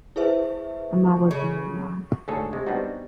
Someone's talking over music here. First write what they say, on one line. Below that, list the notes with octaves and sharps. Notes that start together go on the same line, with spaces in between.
I’m not working right now.
E4 G#4 B4 C5 E5
C#3
D2 G#2 G#4 A4 C#5
C3 G#3
G3 B3 C4 D4 D#4 F#4